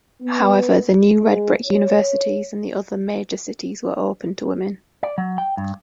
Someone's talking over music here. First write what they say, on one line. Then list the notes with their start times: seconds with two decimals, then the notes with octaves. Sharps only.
However the new redbrick universities and the other major cities were open to women.
0.22 B3
1.23 G#3
1.64 C#5
5.03 D5
5.18 F#3
5.38 G5
5.57 G2